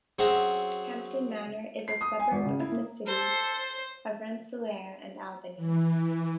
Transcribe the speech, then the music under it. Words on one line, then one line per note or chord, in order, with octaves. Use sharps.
Hampton Manor is a suburb of the cities of Rensselaer and Albany.
F#3 C4 C#4 F#4 G#4 E5
C7
D#6
G#5
G#1
C#3
E4
A#3
A4 C5
E3